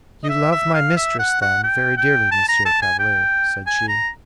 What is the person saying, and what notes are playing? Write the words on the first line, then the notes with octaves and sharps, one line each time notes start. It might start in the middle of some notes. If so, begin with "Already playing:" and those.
"You love my mistress, then, very dearly, Monsieur Chevalier?" said she.
D#5
E5
E5
F5
E5
F#5
F#5
G5
G5
A5
A#5
A5
G#5
G5
G#5
A#5